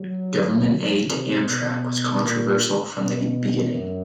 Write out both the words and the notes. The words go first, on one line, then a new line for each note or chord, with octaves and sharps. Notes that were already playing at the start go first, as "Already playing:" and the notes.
Government aid to Amtrak was controversial from the beginning.
Already playing: F#3
F#3
C3
B2
A#2
B2
F#2